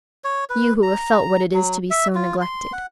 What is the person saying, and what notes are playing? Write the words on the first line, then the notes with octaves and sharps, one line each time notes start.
You who have felt what it is to be so neglected!
C#5
B4
A#5
F#3
E5
F4
C6
F#5